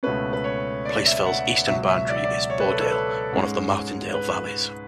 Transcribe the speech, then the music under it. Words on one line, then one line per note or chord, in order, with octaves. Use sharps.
Place Fell's eastern boundary is Boredale, one of the Martindale valleys.
C#2 B2 A3 C#4 B4
B4
C#5
D5
E5
F#5
C#2 B2 F#3 E5
E5
D5
E5
D5
C#5
B4
A4
A4
B4
G#2 G#3 C#4
B4